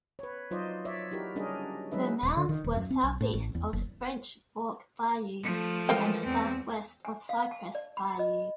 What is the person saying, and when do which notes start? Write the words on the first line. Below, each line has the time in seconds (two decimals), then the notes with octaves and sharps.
The mounds were southeast of French Fork Bayou and southwest of Cypress Bayou.
0.19 B4 C#5
0.51 F#3 D#4 F4 C5 D5 D#5
0.85 C#5 D5 E5
1.11 D#4 E4 F#4 G4 A#4
1.35 G3 C#4 D4 G#4 A#4 D#5
1.91 F#3 G#3 C#4 D#4 B4 E5
2.23 D#1
2.37 D3
2.49 D#3
2.64 D#1
2.76 F#2
2.91 C4
3.03 B1
3.21 A2
3.33 A1
3.55 E2
3.73 F#1
5.43 F3 A3
5.89 E3 G#3 A#4 C5 F5 G5
6.24 E2 C4
7.05 G#5
7.29 F5
7.51 A5
7.75 D5
7.97 B5
8.19 D#5